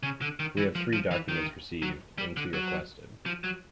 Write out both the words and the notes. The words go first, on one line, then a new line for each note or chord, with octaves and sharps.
We have three documents received and two requested.
C#3
D3
D#3
E3
F3
F3
E3
D#3
F#3
G3
D3
F#3
F3
F#3